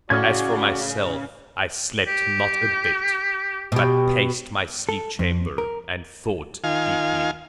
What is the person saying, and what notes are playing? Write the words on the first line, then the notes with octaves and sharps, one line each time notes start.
As for myself, I slept not a bit, but paced my sleep-chamber and thought deeply.
A2 C#3 C#4 F#4 D5 F6 G#6
G4
B2 G4
A4
F2
A#4
D#3 F4 F5 G#5